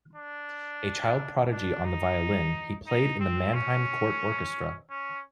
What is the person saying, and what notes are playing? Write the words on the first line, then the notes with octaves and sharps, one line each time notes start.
A child prodigy on the violin, he played in the Mannheim court orchestra.
D4
D4
D#4
D#4
C4
C#4
C#4